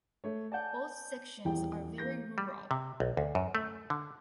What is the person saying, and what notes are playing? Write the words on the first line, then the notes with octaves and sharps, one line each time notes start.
Both sections are very rural.
A3 C#5
D5 F#5 G#5 A5 G6
D#1 E2 E3 E4 G5
A#3 G6 A#6
G3
C3
B1
D2
F#2
A3
D3